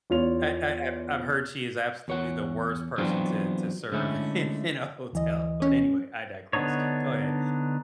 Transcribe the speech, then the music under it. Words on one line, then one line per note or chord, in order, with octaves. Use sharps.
I I I've I've heard she is absolutely the worst person to to serve in in a hotel, but anyway, I digress, go ahead.
E2 F4 C#5 F7
E2 C#5 F#5
E3 F#3 B3 C4 D4 F4
D3 G#3 A3 C#4 E4
D2 E3 D#5
C#4
D3 B3 D4 D#4 C#5